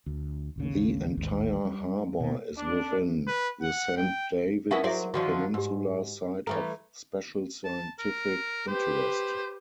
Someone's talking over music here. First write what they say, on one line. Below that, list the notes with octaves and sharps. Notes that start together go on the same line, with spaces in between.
The entire harbour is within the Saint David's Peninsula Site of Special Scientific Interest.
D2
A1 D#2 C#3
A1 D#2 G#2
G3
B2
D4
B4
F#5
G5
B3 C#4 D#4 E4 A#4 E5
F#3 E4 G#4 C5 D5 E5
D3 D#3 F3 F#4 D5 C#6
G#2 G4 E6
E3 A3 A4 A#4 G5
A5
A#4
G4 B4 C5